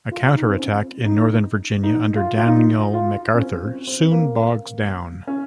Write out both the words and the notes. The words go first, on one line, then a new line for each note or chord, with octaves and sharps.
A counter-attack in northern Virginia under Daniel MacArthur soon bogs down.
F4
D#4
C4
C#4
D#4
D#4
F4
F4
D#4
F4
C#4
C4
C4
C4
A#3
C#4